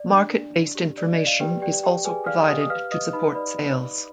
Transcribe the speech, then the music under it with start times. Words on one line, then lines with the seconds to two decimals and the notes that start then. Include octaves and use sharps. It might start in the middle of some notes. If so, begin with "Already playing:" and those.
Market based information is also provided to support sales.
Already playing: D5
0.11 D4
0.33 D4
0.54 D4
0.75 G4
0.98 D5
1.13 D#5
1.18 D5
1.27 F5
1.40 G4 B4 G5
1.62 G4 D5 G5
1.83 G4 G5
2.05 G#4 B4 G#5
2.26 D5 F5 F6
2.48 G4 D#5 D#6
2.61 D#6
2.70 B4 F5 F6
2.91 B4 D#5 D#6
3.13 D#4 B4 B5
3.35 B4 D5 B5